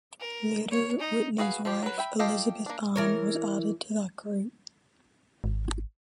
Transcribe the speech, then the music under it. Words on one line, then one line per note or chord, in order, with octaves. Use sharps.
Later, Whitney's wife, Elizabeth Ann, was added to that group.
A#4
C#5
D#4
F#4 G#4 B4 F5
F3 F4 G4
F#3 B4
E5 G5 B5
F4 G4 A4 D#5 F5
A#3 D4
E3 A#4 C#5
G#1